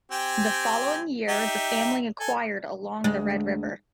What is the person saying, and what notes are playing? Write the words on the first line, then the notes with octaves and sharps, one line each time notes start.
The following year the family acquired along the Red River.
C4 G4 G#5
D#4 G4 E5
A4 G#5
D2 G#3